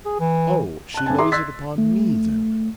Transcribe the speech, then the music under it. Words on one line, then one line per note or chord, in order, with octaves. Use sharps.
'Oh!--She lays it upon me, then?'
G#4
E3
A5 F#6
G2 C4 G#5 A5
G#4 E5 A#5 C6 D6
C6 E6 F#6 G#6 A6 B6
A3